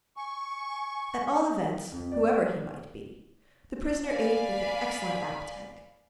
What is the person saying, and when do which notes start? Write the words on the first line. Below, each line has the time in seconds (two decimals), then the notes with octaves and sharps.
At all events, whoever he might be, the prisoner ate with an excellent appetite.
0.17 G#5 C#6
1.92 F2
2.12 D5
4.05 D5 F5 G#5 B5